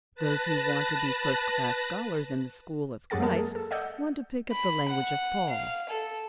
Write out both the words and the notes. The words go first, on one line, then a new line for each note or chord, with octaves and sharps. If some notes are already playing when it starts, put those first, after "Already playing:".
Those who want to be first-class scholars in the school of Christ want to pick up the language of Paul.
B4 A5 F#6 A#6
F#2 F#3 G4 G#4 F#5 A6
G#3 A#3 A#4 A5
G#4
A4
D5 D#5 F#5 E6 G6
B5
F#5
F5
A4